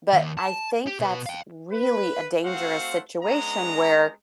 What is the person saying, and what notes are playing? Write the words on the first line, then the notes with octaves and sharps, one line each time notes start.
But I think that's really a dangerous situation where
D#2
A5
G4
B2 B4
F5 G5
B4
A3 C4 F#4 C5 F5 F#5
G#3 B3 C#4 D4 A#5